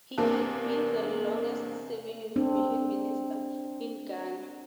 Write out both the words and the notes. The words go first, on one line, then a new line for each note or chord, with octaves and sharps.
He has been the longest serving Information Minister in Ghana.
E2 C3 A#3 C4 D4
C4 D4